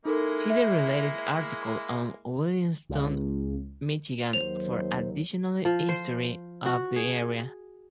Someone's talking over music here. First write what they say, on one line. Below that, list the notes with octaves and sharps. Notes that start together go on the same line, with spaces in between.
See the related article on Williamston, Michigan for additional history of the area.
G#3 A#3 D#4 E4 A4 A#4
E5
C#2
D#2 F#3 C5 F7
F3
C5
F#4
G#4